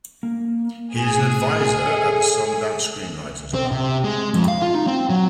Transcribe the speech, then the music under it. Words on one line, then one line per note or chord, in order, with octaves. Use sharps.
He is an advisor at the Sundance Screenwriters Lab.
A#3
A2 G#4
A4 E5
C4
C3
G#3
F2
F5
F4
D#4
C4
F#3